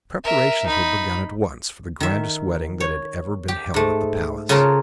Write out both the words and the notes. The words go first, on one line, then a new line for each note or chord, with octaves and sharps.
Preparations were begun at once for the grandest wedding that had ever been held at the palace.
A#4 E5
D#4 B5
D#3 E5
C#5
G4
G#2 A3
C#3 C#4 F4 A4 A#4 C5